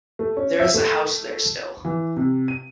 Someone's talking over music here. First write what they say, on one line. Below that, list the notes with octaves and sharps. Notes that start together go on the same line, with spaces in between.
There is a house there still.
A3
C#4
E5
A3
E3
C3
D#7